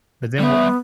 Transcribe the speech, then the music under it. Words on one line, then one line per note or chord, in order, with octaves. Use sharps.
but then wha
G3 B3 E5